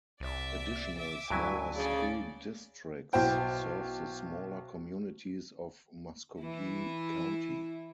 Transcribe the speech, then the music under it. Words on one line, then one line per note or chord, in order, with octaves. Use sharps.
Additional smaller school districts serve the smaller communities of Muskogee County.
C2 D5 E5
E5 D6
D2 G2 F#3 E4 G#5
C#3 D5
B1 E4 C5 G5
E3 E4